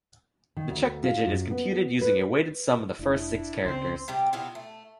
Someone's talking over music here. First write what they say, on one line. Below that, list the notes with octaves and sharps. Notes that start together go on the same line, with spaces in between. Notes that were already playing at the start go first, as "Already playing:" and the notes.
The check digit is computed using a weighted sum of the first six characters.
D#3
D2
F4
F#2
B3
B4
F1 D4 E4
C#2 C#3 C4 C5
C3 G3 G4
C3 B3 E4 F4
A3